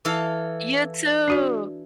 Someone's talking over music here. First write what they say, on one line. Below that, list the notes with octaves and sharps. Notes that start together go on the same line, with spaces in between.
You too.
E3 A4 F5
D4 F#4 D5